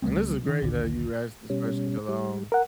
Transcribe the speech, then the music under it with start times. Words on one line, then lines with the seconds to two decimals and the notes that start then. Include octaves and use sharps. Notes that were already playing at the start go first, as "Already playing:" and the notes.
and this is great that you asked this question 'cause, um,
0.02 C#2 G3 A3 C4
0.49 D#3
0.62 A#1 D#2 D3
1.50 B2 G3 C#4
2.09 G3
2.52 A#4 F#5